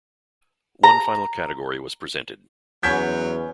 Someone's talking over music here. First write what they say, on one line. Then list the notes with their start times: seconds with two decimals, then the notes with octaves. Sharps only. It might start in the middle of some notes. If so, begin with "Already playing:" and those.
One final category was presented.
0.84 A#5
2.83 E2 F#3 B3 C#4 G6 G#6 B6